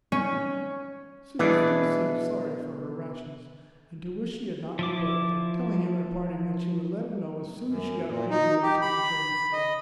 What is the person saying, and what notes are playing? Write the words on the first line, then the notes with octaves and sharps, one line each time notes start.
Sue still seemed sorry for her rashness, and to wish she had not rebelled; telling him at parting that she would let him know as soon as she got re-admitted to the training-school.
C#4
B2 E3 D4 G#4
F3 E4 D6
F#2
A#2
D#4
G4
B5
D#5